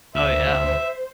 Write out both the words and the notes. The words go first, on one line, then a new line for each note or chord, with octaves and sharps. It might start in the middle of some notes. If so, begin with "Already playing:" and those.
Oh, yeah.
D2 C5 E5